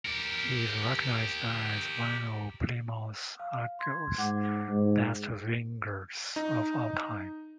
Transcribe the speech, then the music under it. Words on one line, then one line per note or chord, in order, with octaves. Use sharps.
He is recognised as one of Plymouth Argyle's best wingers of all time.
G4 A#4
F5
C6 G#6
G#2 F#5 D6
G#2
D#4